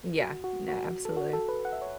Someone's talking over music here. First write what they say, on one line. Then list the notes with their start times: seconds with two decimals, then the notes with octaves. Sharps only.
Yeah. No, absolutely.
0.20 F#4
0.44 F#4
0.69 F#4
1.05 A4
1.17 F#4
1.33 A4
1.49 B4
1.65 F#5
1.73 E5
1.82 C#5